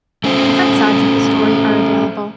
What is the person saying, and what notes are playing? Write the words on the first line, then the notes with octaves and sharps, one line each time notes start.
Different sides of the story are available.
A3 C#4 C5